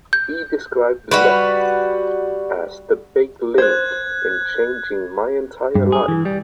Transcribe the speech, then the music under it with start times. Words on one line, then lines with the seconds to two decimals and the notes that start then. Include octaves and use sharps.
He described Letts as "the big link in changing my entire life".
0.13 G6
1.11 G3 F#4 B4
3.58 C5 F#6 G#6
5.75 G2
5.92 G#4
6.08 E3
6.25 G3